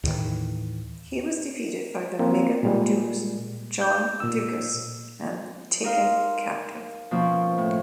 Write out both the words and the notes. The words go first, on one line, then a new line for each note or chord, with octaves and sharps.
He was defeated by the "megas doux" John Doukas and taken captive.
D#2 A2 D#3 E3
F3 A#3 C4
A#2 G3 G#3
G6
A#2 E6
D#4 A#4 F5 C6
B2 F3 A#3 C#4
A2